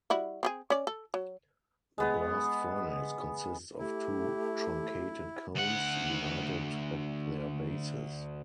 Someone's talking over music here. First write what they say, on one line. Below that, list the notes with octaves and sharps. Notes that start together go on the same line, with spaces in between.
The blast furnace consists of two truncated cones, united at their bases.
G3 E4 F#4
C4 G4 G#4
C#4 D5
A4
F#3
G#3 B3
A3 E4 G4
D2 F#5